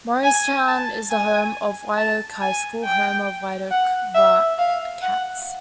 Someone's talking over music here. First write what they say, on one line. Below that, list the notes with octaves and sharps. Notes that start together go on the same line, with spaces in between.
Mowrystown is the home of Whiteoak High School, home of the Whiteoak Wildcats.
G#5
A5
G#5
A5
G#5
G5
F#5
E5
F5
F#5